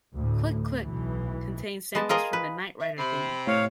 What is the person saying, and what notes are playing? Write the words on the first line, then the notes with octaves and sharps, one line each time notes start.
"Click Click" contains samples from the "Knight Rider" theme.
D2 A2
B1 B2 E3
G#3 B3 A5
F4 G#4 A#4 D#5
B4
E5
C3 B5 C7
A2 C#5 F5